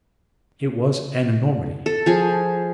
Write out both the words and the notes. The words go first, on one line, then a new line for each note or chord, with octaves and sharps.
It was an enormity.
A4
F3 G#4